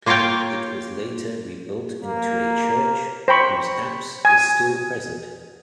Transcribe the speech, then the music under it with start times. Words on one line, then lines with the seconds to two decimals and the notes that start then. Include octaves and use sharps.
It was later rebuilt into a church, whose apse is still present.
0.06 A#3 F4 A#4 C#5 F5 G5
2.04 A#3
3.28 C5 G5 B5 C#6
4.25 G#5